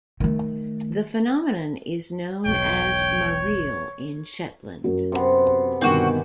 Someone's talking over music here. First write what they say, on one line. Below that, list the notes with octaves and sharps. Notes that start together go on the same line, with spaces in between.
The phenomenon is known as "mareel" in Shetland.
D#3 A3
E1 B1 C#5 G5
F#2 F#3
C3 B3
G1 B2 D#3 C4 F#4 G4 G#5